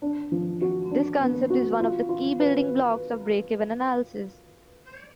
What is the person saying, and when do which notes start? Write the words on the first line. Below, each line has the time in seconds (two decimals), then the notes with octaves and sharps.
This concept is one of the key building blocks of break-even analysis.
0.02 D4
0.32 F3
0.61 F#4
0.91 D4
1.21 B3
1.50 F#4
1.80 F4
2.09 F4
2.40 B4